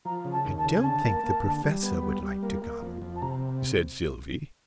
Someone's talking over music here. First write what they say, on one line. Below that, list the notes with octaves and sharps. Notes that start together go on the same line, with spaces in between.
"I don't think the Professor would like to come," said Sylvie.
F3 A#5
C#3
A5
D#2
A5
C#3
G#5
D3 A5
A#3
A#3
D3
G3
B3
G3
G3
A#3
A#3
F2
F2
A5
C3 A#5